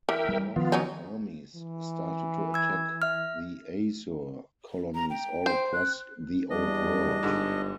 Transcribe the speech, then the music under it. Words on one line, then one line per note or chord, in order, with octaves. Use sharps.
Dwarf armies started to attack the Asur colonies all across the Old World.
E3 A#4 E5 G5
G3
D#3 F3 B3 F4
F#3 C#4 D#4
E3
E6 G#6
E5 F6
A#5
G5
C5
F#6
E2 G3 D4 D#5
G1 G#2 D3